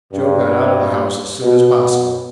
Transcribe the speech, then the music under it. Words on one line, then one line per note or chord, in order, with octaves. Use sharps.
Joe got out of the house as soon as possible.
G2
B2